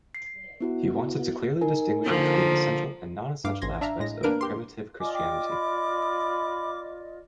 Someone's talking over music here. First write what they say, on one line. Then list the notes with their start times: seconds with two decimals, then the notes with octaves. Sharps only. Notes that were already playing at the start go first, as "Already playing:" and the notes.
He wanted to clearly distinguish between essential and non-essential aspects of primitive Christianity.
0.15 C7
0.60 B3 E4 F#4
1.61 D#4 A#4 G#5
2.05 D3 F3 A#3
3.44 G2 F5 D6
3.62 A1 C6 G#6 A#6
3.81 D4 E5 F5 A#5
3.99 A2 G#3 A#6
4.23 E2 A#3 D4 A#4 B4 D7
4.41 G4 C6
5.00 F4 D5 D#5 G#5 D6
5.14 G5 D6
5.50 B5